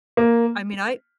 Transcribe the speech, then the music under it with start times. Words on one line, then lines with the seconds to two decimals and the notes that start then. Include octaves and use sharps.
I mean, I
0.17 A#3